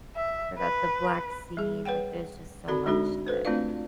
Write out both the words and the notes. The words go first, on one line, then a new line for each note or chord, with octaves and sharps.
forgot the Black Sea, like, there's just so much that
E5
B4
G3 G#4
B4 C#5 F#5 G5
D3 C4 F#4 A4 D5 B5
G#3 D4 D#4 F#4 A4
A4 B4 C5
A3 C4 D4 F4 D5 F5